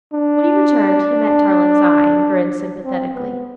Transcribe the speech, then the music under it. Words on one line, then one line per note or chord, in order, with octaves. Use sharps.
When he returned, he met Tarling's eye and grinned sympathetically.
D4
C4
B3